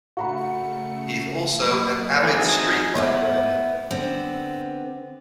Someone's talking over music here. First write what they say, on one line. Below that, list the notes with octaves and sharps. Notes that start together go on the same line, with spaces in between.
He is also an avid street bike rider.
C#3 A3 F#4 A#5 B5 C#7
F#3 A#3 B5
E3 A3 C4 D#4 F#4 G#4 G#5
A3 B3 E4
D3 B3 C4